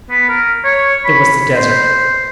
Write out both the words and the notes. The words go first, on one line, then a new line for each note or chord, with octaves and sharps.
It was the Desert!
B3
A#4
C#5
B5
C5